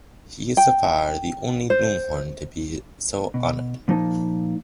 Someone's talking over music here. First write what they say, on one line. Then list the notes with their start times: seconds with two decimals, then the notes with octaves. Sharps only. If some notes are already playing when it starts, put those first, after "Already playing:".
He is so far the only Longhorn to be so honored.
0.57 G5
1.70 C5
3.34 B2
3.88 A#2 F3 A#3 D#4 A5